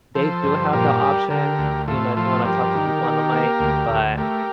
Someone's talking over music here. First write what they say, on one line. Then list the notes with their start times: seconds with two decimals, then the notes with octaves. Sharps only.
they do have the option, you know, if you wanna talk to people on the mic, but
0.15 F3 A4 C5
0.44 G2
0.73 A#2 G4 A#4
1.01 G3
1.30 D3 G4 A#4
1.59 D2
1.88 A2 F4 A4
2.16 F3 F4 A4
2.45 G2 G4 A#4
2.74 D#3
3.03 D#3
3.32 A#3
3.60 D2
3.89 D2
4.18 A3 G4 A#4